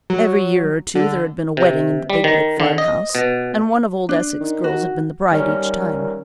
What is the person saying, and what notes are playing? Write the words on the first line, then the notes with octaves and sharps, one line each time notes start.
Every year or two there had been a wedding in the big brick farmhouse, and one of old Esek's girls had been the bride each time.
F#3
D3
C3
G3
D#3
D3
D#5
B2
D4
D#3
F#4
D#3 G3 C#4 A#4